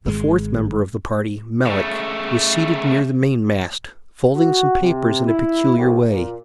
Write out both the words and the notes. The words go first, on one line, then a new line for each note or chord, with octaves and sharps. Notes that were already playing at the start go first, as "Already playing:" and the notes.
The fourth member of the party, Melick, was seated near the mainmast, folding some papers in a peculiar way.
G#1 G#3
C#3 A3
F#4
C3
E4
C2
A#2